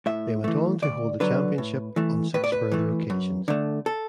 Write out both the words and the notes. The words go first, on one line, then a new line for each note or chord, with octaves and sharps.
They went on to hold the championship on six further occasions.
A2 E5
E3 A3
D2 D5
D3 F#3 B4
A2
E3 A3
A2 B4
D5
B4
E3 A3
F#2
D3 A3
A4